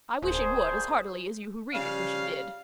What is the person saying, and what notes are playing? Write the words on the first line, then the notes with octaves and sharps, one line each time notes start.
I wish it would as heartily as you who read it wish it did.
D1 A#1 G#4 C5
C#3 F3 G3 F5